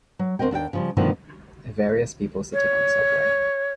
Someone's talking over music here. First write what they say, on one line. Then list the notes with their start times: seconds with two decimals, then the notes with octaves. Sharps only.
Various people sitting on a subway.
0.19 F#3
0.39 D2 C4 A#4 D#5 G5
0.51 D#2 D4 A4 G5
0.73 C#3 F3 G3
0.97 G2 B2 D3 D#3 F3 A3
2.53 C#5